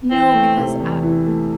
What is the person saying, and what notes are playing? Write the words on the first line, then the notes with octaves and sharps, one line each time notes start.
No, because I
E3 C4
A3
C3
E2
E3
A3